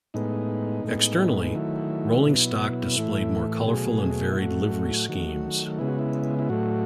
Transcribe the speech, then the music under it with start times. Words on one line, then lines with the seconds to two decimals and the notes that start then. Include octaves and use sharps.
Externally, rolling stock displayed more colourful and varied livery schemes.
0.14 A2 G#3 B3 D#4
0.84 A2 G#3 B3
1.43 D#4
1.55 D#3 F#3 A3 E4
2.25 B2 F#3 B3
2.96 A2 E3 A3
3.66 B2 F#3 A3 G#4
4.32 E4
4.37 A2 F#3 A3 F#4
5.08 D#3 F#3 A3
5.79 C#3 G#3 B3 E4
5.88 F#4
5.99 E4
6.39 E4
6.49 A2 F#3 A3 F#4